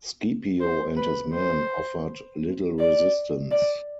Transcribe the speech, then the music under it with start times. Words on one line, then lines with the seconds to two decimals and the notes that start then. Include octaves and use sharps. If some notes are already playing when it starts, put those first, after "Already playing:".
Scipio and his men offered little resistance.
0.61 C5
0.97 B4
1.34 C5
2.79 D5
3.51 D5